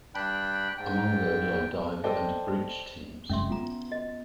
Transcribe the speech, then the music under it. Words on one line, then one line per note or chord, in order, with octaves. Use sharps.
Among those are diver and breach teams.
G2 D4 G5 B5 F#6
G#2 G5
A4 C5 D5 D#5 G5 A5
F1 F#2 G#3 C#4 E5 C6
B3 F4 A#5
F#4 D#5